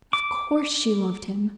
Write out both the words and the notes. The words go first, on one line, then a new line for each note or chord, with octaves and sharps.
Of course she loved him!
D6